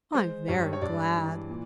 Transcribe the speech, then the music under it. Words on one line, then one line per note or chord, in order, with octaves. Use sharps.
I am very glad.
G#3 C5
G2 C#5
C#5
G2 D5
E3
A#2